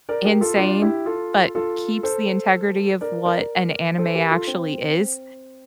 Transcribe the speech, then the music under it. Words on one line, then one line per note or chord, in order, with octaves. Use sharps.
insane, but keeps the integrity of what an anime actually is,
A#4 D5
G4 A#4
F4 A4
D4 F4
E4 G4
F4 A4
F4 A4
A4 C5
A#4 D5
A#4 D5
A4 C5
G4 A#4
F4 A4
C4